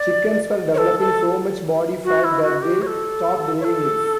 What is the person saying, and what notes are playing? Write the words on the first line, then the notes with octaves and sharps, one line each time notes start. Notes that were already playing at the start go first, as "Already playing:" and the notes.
Chickens were developing so much body fat that they stopped laying eggs.
Already playing: D5
C#5
A4
A4
F#4
E4
F#4
G4
C#5
A4
C#5
A4